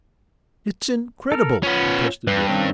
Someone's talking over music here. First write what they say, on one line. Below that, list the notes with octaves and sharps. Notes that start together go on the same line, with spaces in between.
"It's incredible!" protested Richard.
A4 A#4 F6
B3 C#4 F4
G2 B4
D#3 C4 C#4